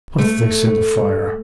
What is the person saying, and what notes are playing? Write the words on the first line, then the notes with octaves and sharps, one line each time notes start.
"Put this in the fire."
A3